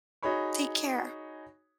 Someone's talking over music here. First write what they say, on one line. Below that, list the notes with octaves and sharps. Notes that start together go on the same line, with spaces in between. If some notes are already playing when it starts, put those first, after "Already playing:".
Take care.
D#4 F#4 G#4 C#5 B5 C#6